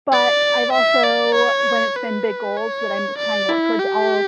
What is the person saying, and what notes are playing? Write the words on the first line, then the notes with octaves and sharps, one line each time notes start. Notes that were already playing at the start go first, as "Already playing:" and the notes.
but I've also when it's been big goals that I'm trying to work towards, I'll
D5
E5
D5
C#5
B4
C#5
D5
E4
G4